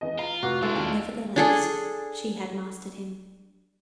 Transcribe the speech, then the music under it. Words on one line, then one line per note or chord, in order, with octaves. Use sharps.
Nevertheless she had mastered him.
E2 D#5
F4 A#5
F1 F#4 D6
G#3 D4 E4 F4 A4
D#2 F5
D4 G#4 A4